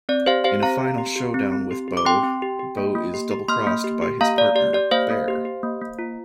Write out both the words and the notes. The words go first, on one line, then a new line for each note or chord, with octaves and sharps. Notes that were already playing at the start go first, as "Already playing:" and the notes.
In a final showdown with Bo, Bo is double-crossed by his partner, Bear.
C4 D5
G4 C5 F5
G4 C5 F5
C4 F5 A#5
C4
G4
G4
C4
C4
G4
G4
D6
C4 G5 C6
C4
G4
G4
A#3
A#3
G4
G4
A#3 C6 F6
A#3
G4
G4
A#3 F5 A#5
A#3 D5
G4 D5
G4 D5
A#3 C5 F5
A#3
G4
G4
A#3
A#3
F4